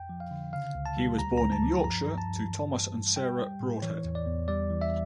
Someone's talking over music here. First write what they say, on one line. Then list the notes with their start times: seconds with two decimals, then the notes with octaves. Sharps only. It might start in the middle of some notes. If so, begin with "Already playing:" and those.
He was born in Yorkshire to Thomas and Sarah Broadhead.
Already playing: F2 G5
0.09 F3
0.20 F5
0.31 D3
0.53 C#3 F5
0.75 C#2
0.86 A5
0.97 G3
1.19 D2 A#5
1.38 D2 A#5
1.52 A5
1.63 F3
1.84 G2 A#5
2.07 G2
2.18 A5
2.29 G2
2.50 E3
2.72 G3
2.94 G3
3.16 G3 G5
3.38 G3
3.60 A2
3.82 E3 C#5
4.04 E2
4.15 D5
4.26 E2
4.48 G3 D5
4.70 E3
4.81 E5